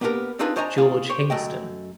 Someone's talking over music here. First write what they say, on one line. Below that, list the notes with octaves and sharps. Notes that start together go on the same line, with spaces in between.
George Hingston.
A#3 B3 D4 G4 A#4
C4 D4 D#4 F4 G#4 B4
D4 C5 C#5 D#5 G#5 A#5
A2 F4 G#4 F5
G4 C5 C#5
F#2 A3 D#5 G5